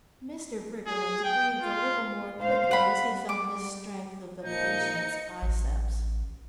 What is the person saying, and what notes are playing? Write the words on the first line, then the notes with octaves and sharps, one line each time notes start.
Mr. Briggerland breathed a little more quickly as he felt the strength of the patient's biceps.
G#4
G5
F4
G#2 C5 F5
G3 F#5 B5
D6
A#2 D#3 F3 D#4 G6 C#7
A1